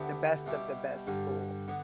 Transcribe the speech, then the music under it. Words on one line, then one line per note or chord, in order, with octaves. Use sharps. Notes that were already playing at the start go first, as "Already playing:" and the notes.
The best of the best schools.
Already playing: D2 D3 B3 E4 G4
B2 G3 E4 G4
G2 D3 G3
D3 B3